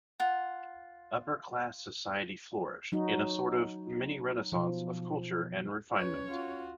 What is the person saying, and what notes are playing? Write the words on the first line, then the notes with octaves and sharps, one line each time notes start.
Upper class society flourished in a sort of mini-Renaissance of culture and refinement.
F4 F#5
F#3 D#4 F#4
B2 F3
C#4 B4 C#5
F4 F#4